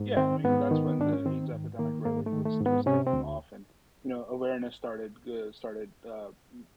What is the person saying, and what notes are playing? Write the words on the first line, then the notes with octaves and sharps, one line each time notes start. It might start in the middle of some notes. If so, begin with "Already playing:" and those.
Yeah, I mean, that's when the AIDS epidemic really was was taking off and, you know, awareness started g started, uh, m
Already playing: G#2
D#3 C4
G#2 B3
D#3
G#2 D4
C#4
D#3 C4
G#2
D#3 A#3
G#2 A#3
A3
D#3
A3
G#2
B3
C3 C#4
C4
D2